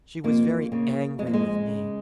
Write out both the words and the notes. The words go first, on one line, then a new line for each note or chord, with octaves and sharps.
She was very angry with me.
F2 A#3
C#3 A#3
F2 G#3
A#3
G#3
C#3